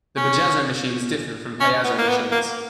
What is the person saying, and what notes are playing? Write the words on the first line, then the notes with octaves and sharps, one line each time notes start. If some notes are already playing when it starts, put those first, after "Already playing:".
The bajazzo machines differed from payazzo machines.
C#4
C#4
B3
A#3
B3
A#3